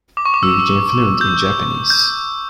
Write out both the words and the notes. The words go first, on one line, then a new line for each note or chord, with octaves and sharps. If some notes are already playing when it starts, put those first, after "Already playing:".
He became fluent in Japanese.
D6
C#6
D6
E6
G6
G6